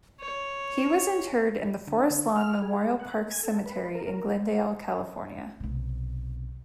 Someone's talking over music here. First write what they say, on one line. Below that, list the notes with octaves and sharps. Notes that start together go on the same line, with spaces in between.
He was interred in the Forest Lawn Memorial Park Cemetery in Glendale, California.
C#5
D3
D4
D3
F6
G#4
F#5
A#3
G#5
A4
B4
A#4
A#4
B1 C3